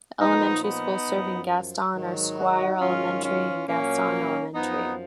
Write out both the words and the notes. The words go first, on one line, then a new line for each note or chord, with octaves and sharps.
The elementary schools serving Gaston are Squire Elementary and Gaston Elementary.
A#2 F3 B3 D#4
B3 D#4
F#2 F3
G#2 D#3 F#3
D#4 F#4
G#2 D#3 F#3 C#4 F4
C#4 F4
A#2 F#3 A#3 C#4
F#2 F3 B3 D#4